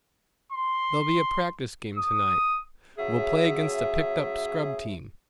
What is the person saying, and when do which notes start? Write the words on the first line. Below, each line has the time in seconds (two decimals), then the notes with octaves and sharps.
There'll be a practice game to-night; we'll play against a picked up scrub team.
0.52 C6
1.95 D#6
2.99 C#3 F#3 G#4 E5